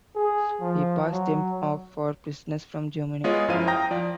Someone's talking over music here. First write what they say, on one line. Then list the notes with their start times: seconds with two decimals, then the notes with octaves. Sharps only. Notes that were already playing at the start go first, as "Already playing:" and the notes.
He passed them off for prisoners from Germany.
0.15 G#4
0.61 F3
1.13 F#3
3.24 G#3 B3 F4 G#4 C#5 D#5
3.48 F#2 F3 E4 C5 F5 D#7
3.67 F5 G5 A#5 D#6 G6 A#6
3.91 F3 D5